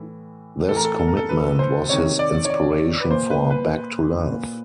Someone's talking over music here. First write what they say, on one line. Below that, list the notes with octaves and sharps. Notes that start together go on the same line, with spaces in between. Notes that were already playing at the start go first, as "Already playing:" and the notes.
This commitment was his inspiration for “Back to Love”.
Already playing: A2 E3
A2 E3 A4
A#4
A4
A4
A#4
A4
B4
C5
C3 D#3 C#5
D5
C#5
D5
B4
A#2 C5
B4
B4
A#2